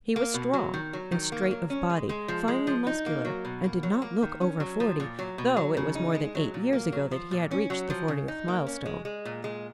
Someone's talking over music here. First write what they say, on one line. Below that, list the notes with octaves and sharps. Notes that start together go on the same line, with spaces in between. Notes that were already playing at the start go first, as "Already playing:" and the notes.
He was strong and straight of body, finely muscular, and did not look over forty, though it was more than eight years ago that he had reached the fortieth milestone.
A#3
B2
F#3
D#3
F#3
D#3
A#3
F#3
C#4
G#3
G#3
F3
G#3
F3
D#4
A#3
F#3
B2
A#3
F#3
A#3
D#3
C#4
F#3
F3
A#2
F#3
B2
F#3
C#3
D#4
G#3
F#3
A#2
A#3
F#3
F3
A#2
C#4
F#3
F3
C#3
D#4
A#3
C#4
G#3
G#3
A#2
G#3